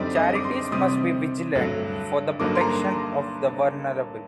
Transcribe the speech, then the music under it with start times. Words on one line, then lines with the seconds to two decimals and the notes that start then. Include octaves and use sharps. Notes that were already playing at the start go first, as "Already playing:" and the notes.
Charities must be vigilant for the protection of the vulnerable.
Already playing: F#2 D3 G3 C4 D#4 D5
0.15 D#5
0.35 D6
0.44 C6
0.72 C3 G3 C4 D#6
1.55 G2 D3 F#3 A3
2.40 G2 D3 F#3 A#3 D#4 D6
2.55 C6
2.61 A#5